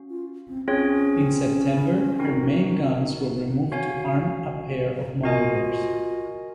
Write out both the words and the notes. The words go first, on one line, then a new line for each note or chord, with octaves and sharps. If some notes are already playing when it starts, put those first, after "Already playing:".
In September her main guns were removed to arm a pair of monitors.
Already playing: C#4 F#4 F5
F4
C4
C4 C#4 F4 G#4 C#5
C4 D#4 F#4 A#4
F#4 C#5 F5 G#5
F4 F#4 A#4 D#5 G#5